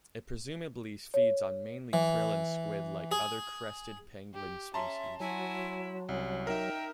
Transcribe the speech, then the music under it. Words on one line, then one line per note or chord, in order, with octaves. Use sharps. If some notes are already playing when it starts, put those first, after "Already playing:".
It presumably feeds on mainly krill and squid like other crested penguin species.
C#5
E3
G#4
G4
C#4 E5 A5 A#5 C6
F#3 E4 F#4 G#5
C2 C#4
D#4 A#4 E5 G5